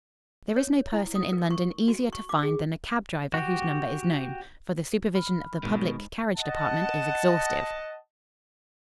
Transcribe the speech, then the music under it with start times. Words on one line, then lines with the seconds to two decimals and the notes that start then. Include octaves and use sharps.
There is no person in London easier to find than a cab-driver whose number is known, for the supervision of the Public Carriage Department is exhaustive.
0.56 C#5
0.93 E4
1.15 D#6
1.33 A#4
1.51 C#6
1.88 F#4
2.13 C#6
2.29 D6
2.43 G#4
3.34 F#4 G4
5.15 B5 F6
5.63 G#2 B2 D#3
6.37 D#5 F#5 A5